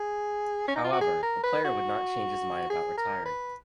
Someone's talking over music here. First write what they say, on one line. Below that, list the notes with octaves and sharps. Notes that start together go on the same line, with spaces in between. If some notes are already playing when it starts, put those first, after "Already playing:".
However, the player would not change his mind about retiring.
Already playing: G#4
C#4
D#4
F4
F#4
G#4
A#4
B4
F#4
G#4
A#4
B4